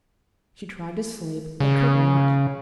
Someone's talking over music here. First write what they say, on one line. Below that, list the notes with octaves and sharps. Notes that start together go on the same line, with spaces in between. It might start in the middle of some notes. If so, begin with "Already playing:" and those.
She tried to sleep, but could not.
C#3